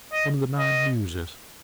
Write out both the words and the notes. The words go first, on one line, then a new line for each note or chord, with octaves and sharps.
One of the nine Muses.
D#5
D#5